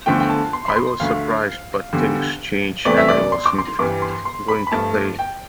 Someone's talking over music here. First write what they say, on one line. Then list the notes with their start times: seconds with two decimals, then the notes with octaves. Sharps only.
I was surprised but things change and I wasn't going to play.
0.06 E2 D3 F3 A3 G5
0.20 G5
0.30 A5
0.53 C6
0.68 B5
0.76 C6
1.00 D2 D3 A3 F5
1.93 E2 D3 G3
2.85 F2 C3 E3 A3 D5
2.97 E5
3.08 D5
3.32 C6
3.46 D6
3.58 C6
3.79 G2 E3 G3 D6
4.02 C6
4.25 C6
4.48 B5
4.67 B5
4.72 G2 F3 A3 A5
5.19 G5